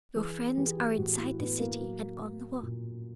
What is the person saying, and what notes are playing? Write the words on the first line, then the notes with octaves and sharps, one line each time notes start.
Your friends are inside the city and on the watch.
E3 G#4
E3 G4
G#4
G4
A2 F#4
E4
A2 B3
A#3
F#3
F#3
A#2